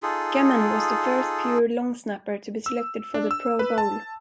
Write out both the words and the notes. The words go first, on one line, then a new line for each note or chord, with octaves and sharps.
Gammon was the first pure long-snapper to be selected for the Pro Bowl.
D#4 F4 G#4 A4
E6
D4
E6
B4
A5